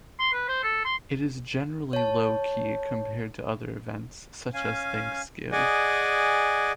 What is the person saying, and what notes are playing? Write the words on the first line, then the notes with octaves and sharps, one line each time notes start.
It is generally low-key compared to other events, such as Thanks-Give.
C6
B4
C5
A4
C6
C#5 A5
C#4 F5 G#5
G#4 D5 D#5 F#5 G#5